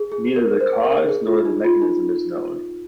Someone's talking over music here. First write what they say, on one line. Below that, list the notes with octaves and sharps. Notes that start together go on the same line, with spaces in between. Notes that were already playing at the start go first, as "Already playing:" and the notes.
Neither the cause nor the mechanism is known.
Already playing: G#4
G#4
A#4
C5
A#4
G#4
F4
D#4
F4
D#4